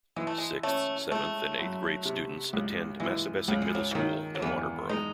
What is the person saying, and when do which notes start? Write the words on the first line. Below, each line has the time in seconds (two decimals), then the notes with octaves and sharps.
Sixth,seventh and eighth grade students attend Massabesic Middle School in Waterboro.
0.16 E3 G#3
0.27 A3
0.38 G#3
0.63 A3 C#4
1.11 G#3 A3
1.59 F#2
2.05 C3
2.53 C#2
3.00 E3 G#3
3.48 C#2 F#3
3.62 G#3
3.75 F#3
3.91 E3
3.95 D#3 F#3
4.35 F#3
4.42 E2 E3
4.89 G#3 D#4